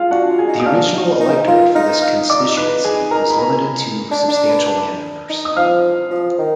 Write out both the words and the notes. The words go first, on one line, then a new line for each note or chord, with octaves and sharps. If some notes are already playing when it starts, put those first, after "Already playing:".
The original electorate for this constituency was limited to substantial landowners.
Already playing: F4 G#4 F5
D4 F#4 F#5
F4
G#4 G#5
D#4
D#6
D4 F5 F6
D#4
D#4
F4
D#4 F5 F6
F5 F6
D#4 D5 D6
D#4 B4 B5
G#4 G#5
A#4 A#5
B5
A#4 A#5
D4
D4
B4 B5
D#4
D#6
F3 F5 F6
F3
D#3